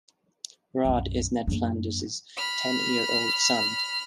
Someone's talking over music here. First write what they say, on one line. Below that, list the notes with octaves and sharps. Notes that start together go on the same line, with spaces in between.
Rod is Ned Flanders' ten-year-old son.
B1 F#2
F#2 A#3 D4
B5 F6